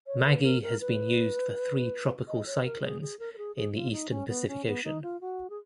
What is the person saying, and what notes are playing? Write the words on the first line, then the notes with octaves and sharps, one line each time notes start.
Maggie has been used for three tropical cyclones in the Eastern Pacific Ocean.
C#5
B4
A#4
A#4
B4
D#5
C#5
A#4
G#4
G#4
A#4
A#4
G#4
G#4
F4
D#4
C#4
B3
C#4
B3
D#4
F4
F#4
G#4